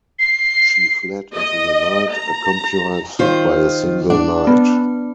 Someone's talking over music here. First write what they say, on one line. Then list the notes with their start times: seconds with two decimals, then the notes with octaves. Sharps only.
She fled into the night, accompanied by a single knight.
0.19 C7
1.33 D#5
2.13 A#5
3.19 D#3 F4 C5
4.10 D4 D5 F#5 D6
4.47 B3